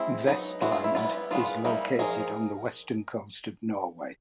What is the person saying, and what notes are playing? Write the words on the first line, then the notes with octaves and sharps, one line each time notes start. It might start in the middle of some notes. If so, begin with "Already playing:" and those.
Vestland is located on the western coast of Norway.
Already playing: G#3 C4 E4
F#3 B3 D#4
G#3 B3 E4 F#4
F4
E4
G3 B3 E4 F4
D#3 G#3 B3 F4
G3 A#3 D#4 E4
F3 A#3 D#4 G#4 A#4